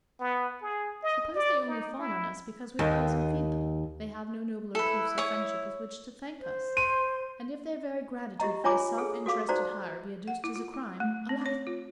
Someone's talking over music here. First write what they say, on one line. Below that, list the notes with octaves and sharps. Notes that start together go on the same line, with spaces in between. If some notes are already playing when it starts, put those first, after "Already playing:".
Suppose they only fawn on us because we house and feed them, they have no nobler proofs of friendship with which to thank us; and if their very gratitude for this self-interested hire be adduced as a crime, alas!
B3
G#4
D#5
D5
D#4
E4
D#2
E4 A4 B4
C#5 D#6
C5
C6 D#7
E4 G4 D#5 A#5
D4 F4 C#5 G#5 A#5 D6
G#4 A4
F#4 A4 F5 D6
D#4 F#4 C5 D5 A#5
F#5
E4
F4
E4
A3
C4
C#5
F4